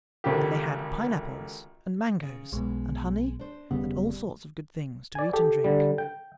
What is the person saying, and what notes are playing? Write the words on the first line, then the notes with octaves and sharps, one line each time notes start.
And they had pineapples and mangoes and honey and all sorts of good things to eat and drink.
G#1 C#2 D3 A#3 G4
C#3
B1 B2 G#3
D4 C5
E1 C#3 G3 B3
D5 G#5
G4 A4
D3 G3
G5